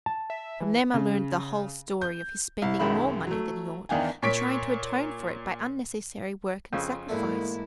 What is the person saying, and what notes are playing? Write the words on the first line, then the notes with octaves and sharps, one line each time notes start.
From them I learned the whole story of his spending more money than he ought and trying to atone for it by unnecessary work and sacrifice.
A5
E5
E3
C#3
G6
C2
B1 F#2 D#3 G#3 E5 B5
F#3 A3
E2 D#3 D4 F5 G5 G#5
A#2 C#5 B6 D7
F2 C#3
E2 G#2 D3 A3 A#3 E4